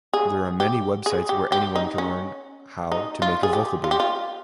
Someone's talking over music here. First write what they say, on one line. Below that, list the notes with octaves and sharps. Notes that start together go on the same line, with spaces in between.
There are many websites where anyone can learn how to make a vocal booth.
G#4
G4
G#4
G4
G4
D#4
C#4
D#4
F4
G#4
G4
F4
G4
F4